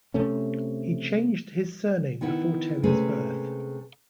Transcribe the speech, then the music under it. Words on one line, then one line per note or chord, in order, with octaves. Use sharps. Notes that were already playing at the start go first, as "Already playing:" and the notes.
He changed his surname before Teri's birth.
C3 A3 C#4
D#3 B3 E4 F#5
C3 G#3 A3 C#4 G#4 B4